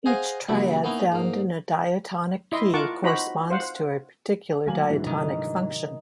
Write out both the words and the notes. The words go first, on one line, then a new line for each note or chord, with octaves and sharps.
Each triad found in a diatonic key corresponds to a particular diatonic function.
G#4 C5 D#5 F5 F#5 G#5
C#2 G2 A#2 F#3 E4
A#3 B3 C#4 D#4 E4
G#2 A#3
E4 D#5 C6
F4 A#4 F#5 A5 C#6 D6
D#4 F#4 C5 A#5 B5
C5 F5 F#5
D#3 F#3 A3 A#3 G#5 F#7
G#2 D3 E3 F#4
C3 D#3